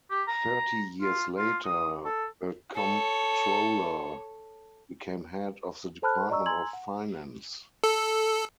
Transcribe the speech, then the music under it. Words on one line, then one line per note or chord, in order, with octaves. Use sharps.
Thirty years later, the comptroller became head of the department of finance.
G4
A#5
F4
F4
D#6
A4
A4 C#5
A4 C5 A5 B5 F6 F#6
D5 D#5 A#5 C#6 E6
G#5 A#5 C6 E6 G#6 F#7
F#5
A4